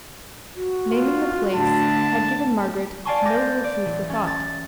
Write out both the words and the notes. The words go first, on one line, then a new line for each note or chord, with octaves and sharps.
Naming the place had given Margaret no little food for thought.
F#4
F4
A2 D3 A5
D5 F5 G#5 A5 C6 C#6
D6 G6 A6 A#6
D5
A1
C#4 A6
A6